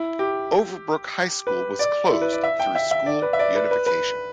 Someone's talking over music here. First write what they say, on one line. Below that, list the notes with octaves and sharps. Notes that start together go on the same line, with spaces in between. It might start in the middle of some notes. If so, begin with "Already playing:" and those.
Overbrook High School was closed through school unification.
Already playing: E4
G4
B4
D5
E4
B4
D5
E5
G5
E5
E5
D5
B4
E5
D5
B4
B4
B4